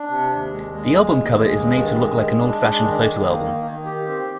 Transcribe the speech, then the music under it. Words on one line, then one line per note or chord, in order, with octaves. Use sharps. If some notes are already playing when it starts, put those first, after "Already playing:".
The album cover is made to look like an old-fashioned photo album.
Already playing: D4
C3
D#2
G#3
G#3
D#2
D#2
G#3
G2
D#3
G#3
G#3
D4
G#3
D#3
D#3
A#3
D#3
D#3
G4
C4